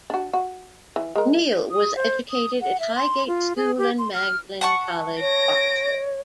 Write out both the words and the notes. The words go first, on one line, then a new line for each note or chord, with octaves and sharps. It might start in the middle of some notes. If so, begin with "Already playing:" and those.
Neill was educated at Highgate School and Magdalen College, Oxford.
D4 F#4
F#4
E3
G#3 A#4
D#6
C5
D#6
F#5
E5
C6
F4
G#4
G4
C6
F6
F#5 A5 C#6
C#5 A#6 D7